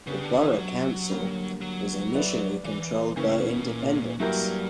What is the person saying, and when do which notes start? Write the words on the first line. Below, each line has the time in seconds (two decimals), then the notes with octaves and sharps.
The borough council was initially controlled by independents.
0.07 C#3 B3 D4 G4
0.24 D3
0.40 E3
0.58 F#3
1.10 D3 G3 A#3
1.61 F#3
2.13 B3 E4 B4 D5
2.65 E3
3.16 C#3 E3 A#3 C#4
3.42 B2
3.68 A#2
4.19 G2 F#3 A#3 E4 G4 A#4